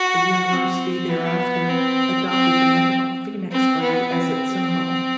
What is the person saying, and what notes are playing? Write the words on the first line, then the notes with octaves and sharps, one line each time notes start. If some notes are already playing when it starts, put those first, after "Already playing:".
The university thereafter adopted the mythical phoenix bird as its symbol.
Already playing: F#4
C4
B3
C4
C4
C4
B3
C4